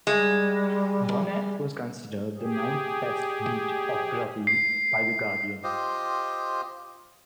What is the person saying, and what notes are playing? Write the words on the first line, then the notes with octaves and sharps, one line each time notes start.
Bonete was considered the ninth best beach of Brazil by "The Guardian".
G3 G#3
G4 G#4
C7
F4 G4 C5 D#5